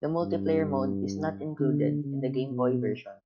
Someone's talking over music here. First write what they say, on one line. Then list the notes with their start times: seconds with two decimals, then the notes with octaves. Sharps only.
The multiplayer mode is not included in the Game Boy version.
0.22 G2
1.60 D3
2.05 C#3
2.50 B2